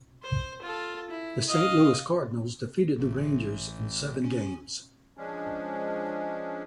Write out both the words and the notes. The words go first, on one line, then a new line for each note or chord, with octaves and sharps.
The Saint Louis Cardinals defeated the Rangers in seven games.
C5
F4 A4
E4
D#5 F5
A1
C#4
F3 G#3 C#4 D4